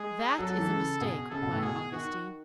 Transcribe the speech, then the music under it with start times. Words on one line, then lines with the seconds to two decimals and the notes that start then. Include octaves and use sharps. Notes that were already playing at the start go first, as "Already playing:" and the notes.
"That is a mistake," replied Augustine.
Already playing: G#3 G#4
0.38 F#3 A4
0.49 F#3
0.59 E3
0.69 C#3
1.00 B2 G#4
1.30 C#3 A4
1.42 B2
1.53 A2
1.62 B2 G#4
1.92 D#3 F#4